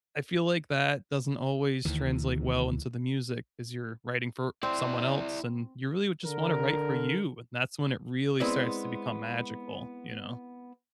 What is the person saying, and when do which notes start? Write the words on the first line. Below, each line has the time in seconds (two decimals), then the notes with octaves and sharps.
I feel like that doesn't always translate well into the music as you're writing for someone else, and you really would just wanna write for you and that's when it really starts to become magical, you know?
1.85 D2 D#3 E3
4.63 C4 E4 D5
6.25 D3 A#4
8.40 G#3 B3 C4 E4 D5